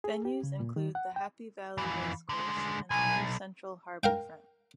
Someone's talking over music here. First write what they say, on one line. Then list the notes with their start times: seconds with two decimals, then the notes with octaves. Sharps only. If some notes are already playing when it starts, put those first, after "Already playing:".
Venues include the Happy Valley Racecourse and the New central Harbourfront.
0.04 G#4
0.25 G4
0.43 C#3
0.60 A#2
0.76 D#3
0.95 F#5
1.16 G5
1.78 F2 E3
2.29 D3 G#3
2.91 B1 G#5
4.03 A#4 F5 G5